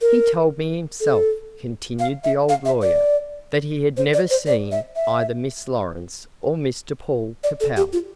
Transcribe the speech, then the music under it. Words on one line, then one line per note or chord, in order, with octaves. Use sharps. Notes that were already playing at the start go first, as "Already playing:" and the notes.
"He told me himself," continued the old lawyer, "that he had never seen either Miss Lawrence or Mr Paul Capel."
A#4
A4
F5
E5
F5
E5
D5
C5
D5
C5
D5
E5
E5
D5
A4
G4
F4